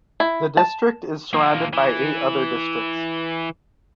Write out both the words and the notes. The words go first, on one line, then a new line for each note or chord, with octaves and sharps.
The district is surrounded by eight other districts.
E4
A5
F3 A#3
E3